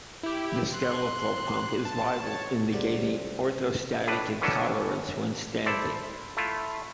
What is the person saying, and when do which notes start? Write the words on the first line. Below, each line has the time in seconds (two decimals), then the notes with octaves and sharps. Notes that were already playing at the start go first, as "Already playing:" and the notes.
The skeletal pump is vital in negating orthostatic intolerance when standing.
0.23 E4 G4
0.74 C6 F#6
1.85 A5
2.22 C#5
2.73 C#2 G2 C3 A3 F#4 D5
4.07 A2 D4 B4
4.41 E3 F#3 C#4 D4 A4
5.66 E4 A4 C5 D5
6.37 A3 E4 F4